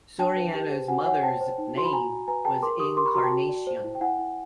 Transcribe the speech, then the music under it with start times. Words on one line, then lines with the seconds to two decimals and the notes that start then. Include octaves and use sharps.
Soriano's mother's name was Encarnacion.
0.19 D4 G5 A5
0.36 B4
0.54 G4
0.71 C5
0.88 F#4 F#5 G#5
1.06 C#5 F#5 G#5
1.23 C5 G5 A5
1.41 C5
1.58 D#4
1.75 F#4 C6
1.85 B5
1.93 F#4 G#5 A#5
2.10 F#4
2.28 B4 G#5 A#5
2.45 G#4 G5 A5
2.62 A#4 C6 D6
2.79 G4 C#6 D#6
2.97 A#4 C6 D6
3.06 B5 C#6
3.14 F#4 A#5 C6
3.23 G5 A5
3.32 F#4
3.49 D5
3.67 C5
3.84 E4
3.95 G5
4.01 E4 F#5 G#5
4.19 E4